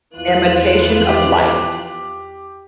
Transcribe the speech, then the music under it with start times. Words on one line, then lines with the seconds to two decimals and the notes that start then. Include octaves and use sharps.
Imitation of Life.
0.17 E2 E3 F3 F4 F#6
1.08 G4